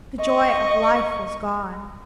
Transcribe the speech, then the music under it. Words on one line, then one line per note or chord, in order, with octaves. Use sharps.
The joy of life was gone.
D#5 C#6